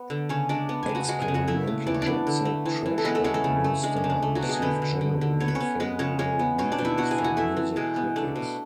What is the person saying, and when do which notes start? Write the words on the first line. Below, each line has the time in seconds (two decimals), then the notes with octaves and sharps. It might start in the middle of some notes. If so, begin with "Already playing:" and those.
"Experimental Jet Set, Trash and No Star" received generally favorable reviews from music critics.
Already playing: B3
0.10 D3
0.29 C#3 C#4 C#5
0.49 G#3 D4 D5
0.69 B3 F#5
0.83 G#5
0.89 C#3
0.95 F#4 F#5
1.08 G#3 F#4 F#5
1.21 G#4 G#5
1.28 C#3
1.34 F#4 F#5
1.48 A3 E4 E5
1.67 C#3
1.87 E3 D5
1.94 C#5
2.02 B3 D4 D5
2.27 D3
2.45 A3
2.66 E3
2.86 E3
2.98 A4
3.04 G#3 B3 B4
3.15 A3 A4
3.24 G#3 C#4 C#5
3.34 A3 A4
3.44 C#3
3.64 A3
3.83 G#3 D4
3.97 C#4
4.04 C#3
4.10 D4
4.23 A3
4.35 F#3 F#4
4.42 B2
4.49 G#3 G#4
4.62 D3 B3 B4
4.82 D3
5.01 D3
5.21 D3
5.40 B3 C#5
5.48 B4
5.55 C#4 C#5
5.60 B3
5.80 G#3 B3 B4
5.99 C#3 C#4 C#5
6.19 G#3 C#4 C#5
6.39 B3
6.58 B2 C#4 C#5
6.72 D4 D5
6.78 B2
6.85 E4 E5
6.98 B3 F#4 F#5
7.11 G#4 G#5
7.18 E3
7.24 F#4 F#5
7.37 A3 E4 E5
7.57 E3
7.76 B2 G#3 G#4
7.96 B3
8.16 A3 D4
8.36 B2